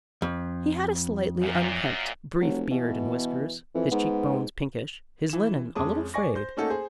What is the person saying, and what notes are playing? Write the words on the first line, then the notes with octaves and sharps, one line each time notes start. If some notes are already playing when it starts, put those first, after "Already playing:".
He had a slightly unkempt, brief beard and whiskers, his cheek-bones pinkish, his linen a little frayed.
F2
F#2 A#2
F1 F#3
B2 E3
F2 E3
G#2 B3
E3 E7
F2 G#3 C#4 A5 D6 D#6
D5 G#5 C#6 A#6
C5 G6
A3 A#3 C#4 D#4 F#4 A4
G#4 C5